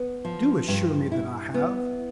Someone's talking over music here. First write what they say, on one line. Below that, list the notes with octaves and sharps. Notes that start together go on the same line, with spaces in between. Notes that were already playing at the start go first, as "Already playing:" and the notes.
Do assure me that I have.
Already playing: B3
F3
G2
E4
B3